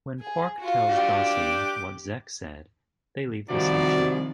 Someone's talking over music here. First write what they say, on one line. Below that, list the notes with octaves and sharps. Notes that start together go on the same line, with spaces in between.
When Quark tells the Dosi what Zek said, they leave the station.
G#4
F4 F#4
D4 G4
D6
C3 D#3 F3 G3 F#4 D5